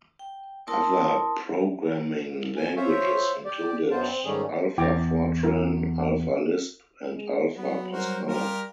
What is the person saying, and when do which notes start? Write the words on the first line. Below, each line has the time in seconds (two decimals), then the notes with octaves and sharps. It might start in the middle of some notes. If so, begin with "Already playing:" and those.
Other programming languages included AlphaFortran, AlphaLisp and AlphaPascal.
0.19 G5
0.68 E4 A#4 A5 C6 D#6
2.57 G#5
2.77 F4 C5 C#5 E5
3.45 G4 D5
3.91 F#2 D3 B3 F4 C5 A5
4.06 C4
4.25 G#2 D#3 G3 A3 C#4 G#4
4.78 E2 E4 G5 D6
5.43 E4 A#4
7.15 G#3
7.57 F#3 B3
7.91 G3 F#4 A#4 C5
8.27 F4 G4 A#4